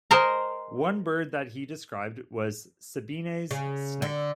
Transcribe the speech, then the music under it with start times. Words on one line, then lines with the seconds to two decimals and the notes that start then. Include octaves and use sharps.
One bird that he described was "Sabine's snipe".
0.11 A#4 C5 D#5 G#5 A#5
3.51 C#3
4.02 D3